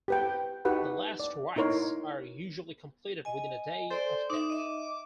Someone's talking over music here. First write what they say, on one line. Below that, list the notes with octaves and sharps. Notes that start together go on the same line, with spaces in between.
The last rites are usually completed within a day of death.
G4 B4 G5
D#4 F#4 G4 B4 F#5 B5
D5
D#4 E4 A#4 C#5 C6
D#5 G#5
A4 C5 D5
D#4 E5 D6
D#5 E5